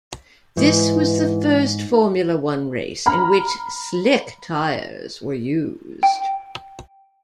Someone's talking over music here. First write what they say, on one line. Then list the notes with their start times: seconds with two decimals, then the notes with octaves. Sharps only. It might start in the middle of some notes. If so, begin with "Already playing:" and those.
This was the first Formula One race in which slick tyres were used.
0.57 G#2 E3
3.06 A#5 B5 F6
6.03 G5